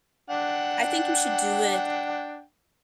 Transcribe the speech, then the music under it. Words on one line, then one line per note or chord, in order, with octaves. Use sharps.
I think you should do it,
D4 F#5 G5